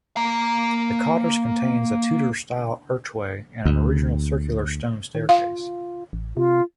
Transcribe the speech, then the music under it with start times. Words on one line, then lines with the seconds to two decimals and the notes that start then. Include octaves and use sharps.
The cottage contains a Tudor-style archway and an original circular stone staircase.
0.17 A#3 A#5
3.65 D2
5.15 D#3
5.29 F4 F5
6.13 A1
6.37 C3 F4